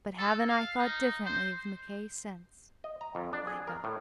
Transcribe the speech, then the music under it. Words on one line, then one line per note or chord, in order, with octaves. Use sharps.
But haven't I thought differently of Mackay since, my God...?
A4
F5
D#4
C5
D#5
A#5
F2
D4
G#4
A#4
A2